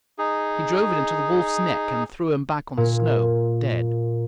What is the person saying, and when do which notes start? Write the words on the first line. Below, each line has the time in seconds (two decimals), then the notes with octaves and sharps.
He drove it into the wolf's neck and threw him back on the snow, dead.
0.18 D#4 G#4
2.77 A#2